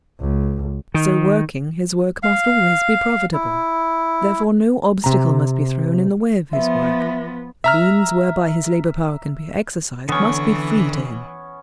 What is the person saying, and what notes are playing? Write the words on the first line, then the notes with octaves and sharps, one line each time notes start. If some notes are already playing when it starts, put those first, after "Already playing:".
So working, his work must always be profitable, therefore no obstacle must be thrown in the way of his work: the means whereby his labour- power can be exercised must be free to him.
C#2
D#3
F5
E4
C3 A#5
F3 B3 E5
E5 A#5 F6
D3 E3 B3 C#4 C#6